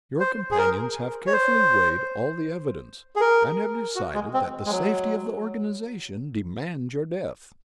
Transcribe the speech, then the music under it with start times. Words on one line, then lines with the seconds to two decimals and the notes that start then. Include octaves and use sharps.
Your companions have carefully weighed all the evidence, and have decided that the safety of the organization demands your death.
0.20 C5
0.51 G#4
0.58 A#4
1.27 C#5
1.33 C5
3.16 G#4
3.21 A#4
3.96 F#4
4.14 G#3
4.34 C4
4.66 G#3
4.71 F#3